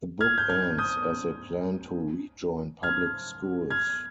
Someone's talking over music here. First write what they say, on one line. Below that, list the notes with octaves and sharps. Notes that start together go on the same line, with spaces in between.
The book ends as they plan to rejoin public schools.
F6 G#6
G6
F6 G#6
D#6 G6
F6 G#6
F6 G#6